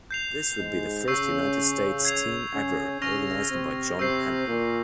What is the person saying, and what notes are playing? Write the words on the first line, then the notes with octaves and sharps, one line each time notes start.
This would be the first United States team ever, organized by John Penton.
G6 C7 F7
G#2 G#3
C#3 C#4 C#6 E6 G6 C7
G#6 C7 F7
C#3 C#4
C#3 C#4 C#6 F6 A#6 F7
C3 C4
C3 C4 C#6 E6 G6 C7
A#2 A#3